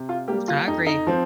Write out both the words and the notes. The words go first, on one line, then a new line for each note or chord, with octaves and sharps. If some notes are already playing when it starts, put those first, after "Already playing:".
I agree.
Already playing: C3
F4
G3 A#3 G4
F4
F2 D#4
D#4
F3 C4